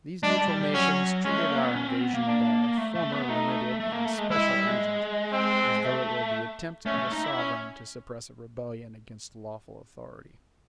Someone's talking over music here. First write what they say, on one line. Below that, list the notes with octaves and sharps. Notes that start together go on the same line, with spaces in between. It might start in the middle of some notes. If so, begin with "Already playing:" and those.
These neutral nations treated our invasion by our former limited and special agent as though it were the attempt of a sovereign to suppress a rebellion against lawful authority.
G#3 D4
G3
G3
G3
F#3 C#4
G#3 C#4
A3
A#3
B3
C#4
C4
B3
A#3
D4
A3
A3
B3
A3 D#4
A3
A#3
A3
G#3
G#3 E4
G3
G#3
C4
A3
A3 C#4
A3
D#4
E4
C#4